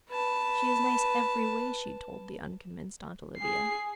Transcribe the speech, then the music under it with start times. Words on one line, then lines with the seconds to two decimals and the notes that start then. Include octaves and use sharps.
"She is nice every way," she told the unconvinced Aunt Olivia.
0.10 B4 A5
3.38 G#4 C7